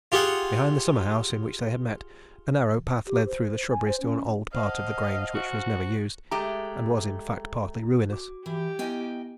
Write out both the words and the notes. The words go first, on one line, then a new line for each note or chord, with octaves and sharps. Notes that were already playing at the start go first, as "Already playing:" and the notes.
Behind the summer-house in which they had met a narrow path led through the shrubberies to an old part of the Grange which was never used, and was, in fact, partly ruinous.
F4 G4 G#4 F#5
G4
C5
G#5
C5
C#4
C5 D#5 F5 F#5 A5
F#4
G#3 A3 G4 A#5
F#4 D6
E3 G4
B3 E4 D#5 G5 G#5